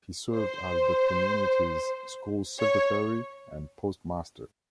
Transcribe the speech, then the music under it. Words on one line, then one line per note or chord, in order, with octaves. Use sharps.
He served as the community's school secretary and postmaster.
C5
C#5